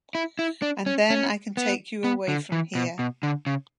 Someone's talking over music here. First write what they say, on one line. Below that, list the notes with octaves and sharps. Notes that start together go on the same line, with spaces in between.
And then I can take you away from here.
E4
E4
D4
C#4
C#4
B3
B3
D3
E3
B2
B2
D3
C#3